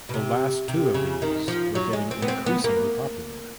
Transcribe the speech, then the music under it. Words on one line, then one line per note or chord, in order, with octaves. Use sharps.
The last two of these were getting increasingly popular.
B2
C3
C3
C#3
D#3
F3
F#3
G#3
C4
B3
C4
B3
A#3